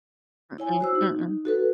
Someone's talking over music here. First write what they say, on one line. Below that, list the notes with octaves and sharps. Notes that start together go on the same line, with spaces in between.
Mm-mm, mm-mm.
E4 C#5 G#5
F#4 C5 E6
D#4
F#4 A4 B4